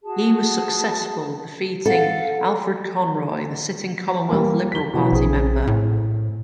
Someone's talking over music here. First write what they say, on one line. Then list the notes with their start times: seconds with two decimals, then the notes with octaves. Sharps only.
He was successful, defeating Alfred Conroy, the sitting Commonwealth Liberal Party member.
0.02 F#4 G#4 A5
1.86 A4 F5 F#5
4.29 G3 A#3
4.72 B6 G7
4.93 B2 E3 F#3
5.12 A#1 C4 G#4
5.67 A2